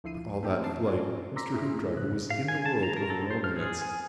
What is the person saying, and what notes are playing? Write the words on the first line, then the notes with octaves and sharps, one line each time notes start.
For all that flight Mr. Hoopdriver was in the world of Romance.
D2 F3 E4 C7 D#7
A3 A#3 D#4 G4
F2 E3 C4 E5 A5 C7
C#4 F4 F#4 D5
A#5 C6 D6 E6 A#6 B6
E4 G#4
A3
A2 C#3 F#6
F5
G#5
A5
A#5
A#4
A4
C5
F6
G#4
G#5